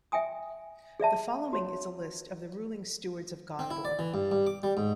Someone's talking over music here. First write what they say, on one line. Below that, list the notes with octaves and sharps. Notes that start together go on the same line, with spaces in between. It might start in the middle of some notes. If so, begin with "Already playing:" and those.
The following is a list of the Ruling Stewards of Gondor.
E5 G5 G#5 D#6
G#4 D5 E5 A5
F#4 C#5
C4
E4
D5
E3
G2
G2
D6
G3
G#2